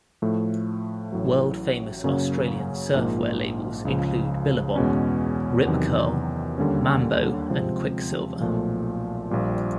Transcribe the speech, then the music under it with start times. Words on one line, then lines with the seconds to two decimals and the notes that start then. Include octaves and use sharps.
World-famous Australian surfwear labels include Billabong, Rip Curl, Mambo and Quiksilver.
0.22 A2 F3 A3
1.12 A1 A2 F#3
2.04 F#2 C#3 F#3 A#3 C#4
2.94 A#1 G#2 F3 A#3
3.85 C#2 C#3 F3
4.76 E2 B2 G#3 C#4
5.66 E2 C3 D#3 F#3
6.58 D#2 D3 G3 A#3 C#4
7.49 C3 F3 G#3 C4
8.40 B1 A#2 F3 A3
9.30 A#1 A#2 G3